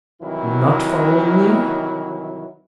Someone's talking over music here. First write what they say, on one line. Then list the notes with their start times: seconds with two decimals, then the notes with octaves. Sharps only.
Not following me?
0.21 C2 D#3 E3 F#3 E4